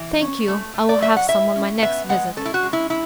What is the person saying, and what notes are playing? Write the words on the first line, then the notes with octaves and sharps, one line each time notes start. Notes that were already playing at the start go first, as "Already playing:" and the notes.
"Thank you, I will have some on my next visit."
Already playing: E3
C#4
A3
A3
D5
F#3 E5
F#5
E4 E5
C#4
B3 E5
G#3 F#5
C#4 A4
E4
F#4
G#3
E4
E4